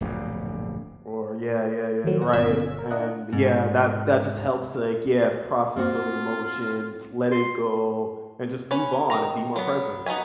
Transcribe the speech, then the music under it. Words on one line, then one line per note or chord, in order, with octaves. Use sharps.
Or yeah yeah yeah, you're right, and, yeah that that just helps, like, yeah to process those emotions, let it go, and just move on, and be more present.
D1 A#1 G2 B2
D#2 D#3 F3 F#3
F#4
G1 B2 C#4 E6 G#6 B6
A#4
D4 E4 A#4 D#5 F#5
G#2
A#3 C4 F4 F#4
C6
C#4 B4 C#5
D#3 A#5
F#3 B3
B3 D#4 F#4 E5 G#5